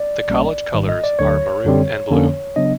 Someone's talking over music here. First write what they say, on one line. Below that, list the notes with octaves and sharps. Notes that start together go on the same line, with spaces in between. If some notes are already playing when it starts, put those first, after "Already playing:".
The College colours are maroon and blue.
Already playing: D5
A#1 A#2 G3 A#3 C#4
G#1 G#2 D#3 G3
D#5
D5
D2 D3 F#3 C#5
F#2 D3 G3 C4
F2 D3 F3 A#3 C#4
C#3 F#3 B3 D4 D#5